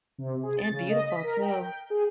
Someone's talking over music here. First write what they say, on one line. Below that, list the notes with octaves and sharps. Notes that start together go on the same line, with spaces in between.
And beautiful too.
C3
G#4
A6
C#3
D#5
B6
A#4
G5
G5
G#4